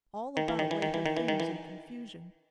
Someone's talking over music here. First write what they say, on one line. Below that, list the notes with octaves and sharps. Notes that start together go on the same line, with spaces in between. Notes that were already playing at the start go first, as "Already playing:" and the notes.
All about lay her things in confusion.
D#3
E3
D#3
E3
D#3
E3
D#3
E3
D#3
E3